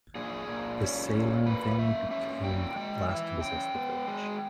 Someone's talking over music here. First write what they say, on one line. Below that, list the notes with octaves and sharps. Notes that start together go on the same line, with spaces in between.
The Seilern family became the last to possess the village.
A#2 G#4
A#2
C#4
A#2
A#3 B4
A#3 E5
C#4 E5
A#2 G5
G#3 G5
E3 E5
C#3 G5
B3
G#3